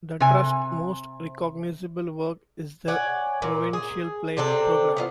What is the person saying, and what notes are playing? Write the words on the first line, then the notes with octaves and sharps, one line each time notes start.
The Trust's most recognizable work is the Provincial Plaque Program.
C3 G#5
C#5 D5 F#5 G#5
A#2
G#4
C3 C4 D4 A4
B3 C#4 F4